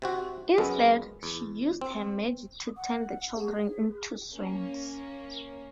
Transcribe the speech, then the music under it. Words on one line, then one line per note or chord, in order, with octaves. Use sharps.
Instead, she used her magic to turn the children into swans.
C3 C4 F#4
F#2 G#3 B3
E2
C4
F#5
G#4
A#3 C#4